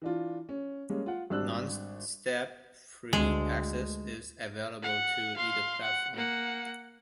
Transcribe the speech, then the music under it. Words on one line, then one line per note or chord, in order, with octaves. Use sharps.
No step-free access is available to either platform.
E3 D4 F4
C#4
G3 G#3 A#3 C#4
F4 F#5
G#1 G3 D4 E6 F#6
D2 G#3
F#5
F5 C6
F#5
A#3 F#5